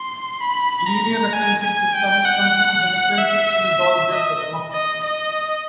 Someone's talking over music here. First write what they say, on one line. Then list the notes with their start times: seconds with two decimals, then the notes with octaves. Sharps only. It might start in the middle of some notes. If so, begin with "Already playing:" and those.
Linear referencing systems compute the differences to resolve this dilemma.
Already playing: C6
0.41 B5
0.86 A#5
1.33 G#5
1.63 G#5
1.94 G5
2.25 F#5
3.19 E5
4.10 D#5
4.72 D#5
5.04 D#5